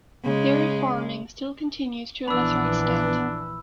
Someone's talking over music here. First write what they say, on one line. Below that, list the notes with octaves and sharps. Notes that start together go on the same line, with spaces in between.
Dairy farming still continues to a lesser extent.
C#3 G#3
A#1 E3 B3 D4 B5 E6